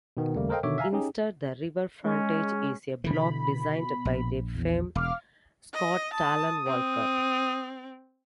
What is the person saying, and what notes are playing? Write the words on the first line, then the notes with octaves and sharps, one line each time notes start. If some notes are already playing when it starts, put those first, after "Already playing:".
Instead the river frontage is a block designed by the firm Scott Tallon Walker.
B2 D#3 B3
D#2 C#3 G3 A3 A#3
A4 A#4 C5 D#5 F5 G5
B2 D3 D#3 C#5 E5 D6
E5 F5 G#5 A#5
C#4 D#4 G4 G#4
G#3 C#4
B2 D3 E3 B5
A#1
E2
E1 F5 D6 F6
D#5
A5 D#6
C4